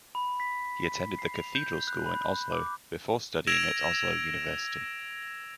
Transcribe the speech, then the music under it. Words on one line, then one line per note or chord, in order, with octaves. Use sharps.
He attended the Cathedral School in Oslo before studying at Oslo University.
B5
B6
C7
F7
G6
F#6
B5
D6
E6 G#6 A#6 D7 E7 F7